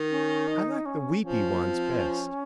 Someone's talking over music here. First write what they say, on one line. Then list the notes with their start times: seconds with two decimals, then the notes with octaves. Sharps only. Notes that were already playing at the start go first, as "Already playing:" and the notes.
I like the weepy ones best.
Already playing: D#3
0.10 C#4
0.47 D#4
0.86 C#4
1.23 F3 C#4
1.49 A#3
1.60 C4
1.99 C#4